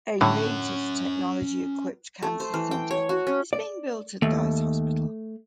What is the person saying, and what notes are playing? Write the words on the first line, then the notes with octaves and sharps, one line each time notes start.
A latest-technology-equipped Cancer Centre is being built at Guy's Hospital.
A2 D3 C#4 F#5
A3
C5
E3
G5
C#5
F#4
C#4
D5
D#2 A3